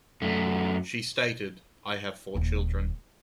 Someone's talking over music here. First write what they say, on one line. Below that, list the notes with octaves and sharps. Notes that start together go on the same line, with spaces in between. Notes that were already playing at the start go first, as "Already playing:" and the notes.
She stated, I have four children.
F#2 A3
D#1 D#2